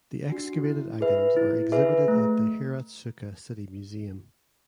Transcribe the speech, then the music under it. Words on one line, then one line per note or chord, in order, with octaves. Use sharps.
The excavated items are exhibited at the Hiratsuka City Museum.
D4 F#4
E4
G#4 B4 E5
E4
G#4 B4 E5
A3